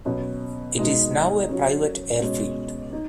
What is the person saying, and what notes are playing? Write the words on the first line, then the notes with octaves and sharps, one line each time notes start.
It is now a private airfield.
B2 F#3 C#4
B2 G#3 D#4
F#3 C#4
B2 G#3 C#4
D#4